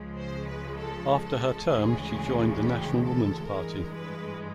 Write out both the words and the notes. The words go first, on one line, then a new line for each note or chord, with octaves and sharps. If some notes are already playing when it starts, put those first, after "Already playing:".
After her term she joined the National Woman's Party.
Already playing: C#2 C#3 F3 G#3
C5
B4
A4
A4
D2 C#3 E3 G#3 G#4
G4
A4
G2 E3 G#3 A#4
B4